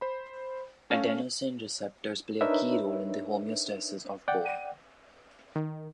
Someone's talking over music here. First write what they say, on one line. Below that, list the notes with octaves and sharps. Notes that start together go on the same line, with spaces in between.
Adenosine receptors play a key role in the homeostasis of bone.
C5 B5
A3 C#4 F5
D4 D#4 A#4 B4 C#5 E5
D5 F#5 G5
D#3